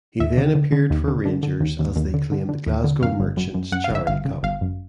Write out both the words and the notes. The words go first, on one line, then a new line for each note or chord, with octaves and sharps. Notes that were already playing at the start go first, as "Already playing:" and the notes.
He then appeared for Rangers as they claimed the Glasgow Merchants Charity Cup.
D#2 E5
D3
D3
D3
D#2
D3
D3
D3
D#2
D#2
D#2
D3
D3
D3
D#2
D3
F#2 F5
G1
F#2
F#2
F#2 F#5
F5
G1
E5
G1 F5
C#3
G1 F5
F#2